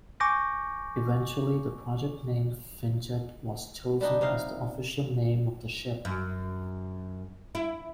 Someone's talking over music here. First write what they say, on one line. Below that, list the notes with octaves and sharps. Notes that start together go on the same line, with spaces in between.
Eventually the project name "Finnjet" was chosen as the official name of the ship.
G#5 C#6 D6 G6 A#6
G3 D4 D#4
C3 D#4 F5
F#2
E4